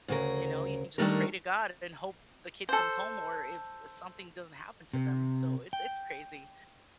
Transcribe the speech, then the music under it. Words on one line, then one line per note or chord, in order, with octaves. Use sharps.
you know? You can just pray to God and hope the kid comes home, or if, eh, something doesn't happen to them, so it's it's crazy.
D2 C#3 A#4
D#3 F#3 G3 A3 D4 A#4
A4 C5
C3
G5